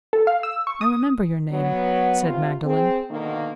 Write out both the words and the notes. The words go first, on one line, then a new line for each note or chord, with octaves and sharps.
"I remember your name," said Magdalen.
A4
F5
E6
C#6
D#6
F#3 B3
C3 F4
C4 G#4
B2 D3 D#3 A#3